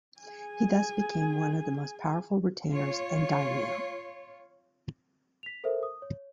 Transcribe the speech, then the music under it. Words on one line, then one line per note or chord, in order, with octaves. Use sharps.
He thus became one of the most powerful retainers and daimyo.
G#4 G#5
F4 C#5
B6 F7
A4 A#4 C5 E5
D#6
C#5